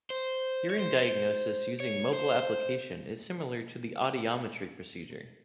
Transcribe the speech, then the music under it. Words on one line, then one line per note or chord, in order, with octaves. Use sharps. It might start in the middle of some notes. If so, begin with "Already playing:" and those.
Hearing diagnosis using mobile application is similar to the audiometry procedure.
C5
C#5
C5
C#5
C5